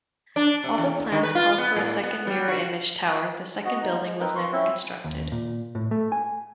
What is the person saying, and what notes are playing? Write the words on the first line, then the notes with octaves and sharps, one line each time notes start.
Although plans called for a second mirror-image tower, the second building was never constructed.
D4
C3
E2
D#3
B4
F4
B3
A2
B3
G3
F#4
B3 F#4 D#5
D#4
G#3
C4 D#4 A#4 B4
C6 C#6
C4 C#4 E4 E5
D#2
A#2
A2
A3
G#5